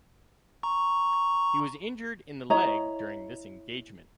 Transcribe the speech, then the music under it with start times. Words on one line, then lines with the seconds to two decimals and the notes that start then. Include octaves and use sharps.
He was injured in the leg during this engagement.
0.63 A#5 C#6
2.50 E4 C#5 D#5 A#5